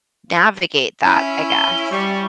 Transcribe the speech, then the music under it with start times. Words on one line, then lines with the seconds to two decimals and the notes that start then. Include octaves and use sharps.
navigate that, I guess?
1.05 C#4 E4
1.49 G7
1.91 G3 C#6